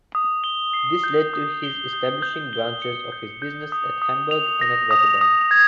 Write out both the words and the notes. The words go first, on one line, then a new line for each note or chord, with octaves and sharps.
This led to his establishing branches of his business at Hamburg and at Rotterdam.
D#6
G7
C7
G6
D#6
G7
G6
G6
G7
C#7
G6
G6
D#6
D#6
F7
A#6
D#6
D#6
G#6